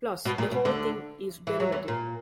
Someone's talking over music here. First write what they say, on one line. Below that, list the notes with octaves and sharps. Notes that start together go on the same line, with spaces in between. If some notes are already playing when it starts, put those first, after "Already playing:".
Plus, the whole thing is derivative.
B2
A#2
B2
D2 D3
E3
F#3
E2 E3
A#2